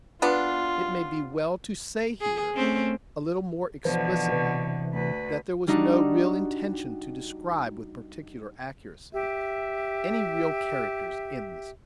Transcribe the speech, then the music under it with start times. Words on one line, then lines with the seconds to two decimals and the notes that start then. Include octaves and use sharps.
It may be well to say here, a little more explicitly, that there was no real intention to describe with particular accuracy any real characters in this book.
0.22 B3 D4 F4
2.21 G#4
2.54 A3 C4 C#4
3.85 B2 D3 E3 F3
4.32 C3 E3
4.93 D2 B4
5.67 G3 D4 D#4 F#4
9.13 G4 E5